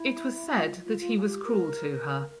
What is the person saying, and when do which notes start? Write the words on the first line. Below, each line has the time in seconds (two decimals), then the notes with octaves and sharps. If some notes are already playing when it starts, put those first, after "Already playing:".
It was said that he was cruel to her.
Already playing: E4
0.55 F4
0.85 F4
0.99 F4
1.17 G#4
1.22 G4
1.44 A#4